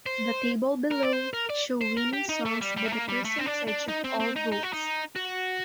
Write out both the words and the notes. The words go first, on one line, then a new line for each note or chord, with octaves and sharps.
The table below show winning songs by the percentage of all votes.
C5
A#4
D5
C5
A#4
D5
C5
A#4
G4
D#4
A3
G3
G3
A3
A#3
G3
A3
C4
D4
D4
D#4
C4
C4
D#4
D#4
F#4
D#4
F#4